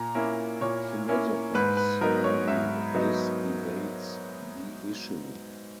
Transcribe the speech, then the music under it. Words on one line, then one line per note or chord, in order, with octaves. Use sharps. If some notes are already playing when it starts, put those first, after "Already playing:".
Philosophers argue this evades the issue.
Already playing: A#2 A#5
A#3 C#4 E4
A#2 C#5
A#3 C#4 E4
G#2 B4
B4
F#3 B3 D#4 A#4
C#5
G#2 E5
F#3 B3 D#4